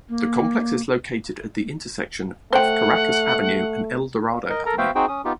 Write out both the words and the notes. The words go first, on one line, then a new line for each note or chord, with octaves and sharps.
The complex is located at the intersection of Caracas Avenue and El Dorado Avenue.
A#3
A3 C5 F#5 G5
A#4 D#5
A4 A#4 A#5
B3 F#4 C5 E5 F5 G5
C4 D#4 F#4 G#4 C5 G5
C#4 D#6
B3 D#4 F4 G4